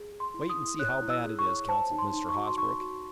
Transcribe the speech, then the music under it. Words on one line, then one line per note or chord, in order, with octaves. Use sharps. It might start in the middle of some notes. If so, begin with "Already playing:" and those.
"Wait and see how bad it is," counseled Mr. Hosbrook.
Already playing: G#4
G#4
C6
E4
D#6
E4
C#5 F#6
E4
E6
G#4
C#6
C#5
C5 A5
D#4
C6
D#4
C#6
F#4
C6
D#4 C#6
F#4